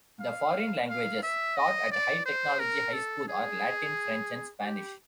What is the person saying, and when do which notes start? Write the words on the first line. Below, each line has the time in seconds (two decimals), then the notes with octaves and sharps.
The foreign languages taught at High Technology High School are Latin, French and Spanish.
0.20 F5
0.88 F5
1.23 E5
1.57 D#5
1.91 D5
2.25 C5
2.60 A#4
2.93 A4
3.28 G#4
4.64 G4